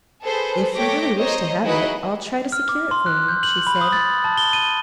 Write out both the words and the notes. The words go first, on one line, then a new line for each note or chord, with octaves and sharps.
"If you really wish to have it, I'll try to secure it for you," she said.
G#4 A4 B4 C5
A3 C#5 G5 D6 A#6 B6
C5 C#5 D#5 A#5
D#4 E4 F#4 G#4 B4 D#5
F6
D6
C6
F#6
G6
F#7
B5
D#6
A6
A5
G7
D#7